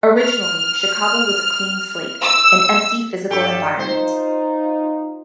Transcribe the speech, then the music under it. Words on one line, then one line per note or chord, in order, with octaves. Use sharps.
Originally, Chicago was a clean slate, an empty physical environment.
F6
E6
G2 G4 A4
D#4 F4 C5